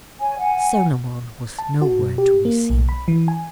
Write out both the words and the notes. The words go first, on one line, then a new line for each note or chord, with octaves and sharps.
Solomon was nowhere to be seen.
C#5 G#5
F#5 G#5
A5
F#4
B2
G4
A#3
B1
B5
E3
G#5